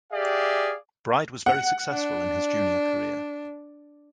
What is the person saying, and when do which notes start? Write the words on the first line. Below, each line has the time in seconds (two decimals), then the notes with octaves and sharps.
Bryde was very successful in his junior career.
0.13 G4 G#4 D5 E5 F5
1.46 F#5
1.93 D4